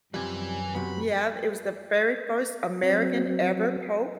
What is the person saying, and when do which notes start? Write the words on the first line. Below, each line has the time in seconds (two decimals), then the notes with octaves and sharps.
yeah, it was the very first American ever pope
0.14 F#2 C3 F3 G3 B4 G#5
0.75 C3 F#3 B3 B5
2.83 F#3 C4